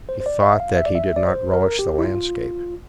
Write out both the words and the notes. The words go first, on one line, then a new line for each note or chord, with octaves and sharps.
He thought that he did not relish the landscape.
C5
C5
D5
E5
F5
E5
D5
E5
D5
C5
A#4
G4
E4
F4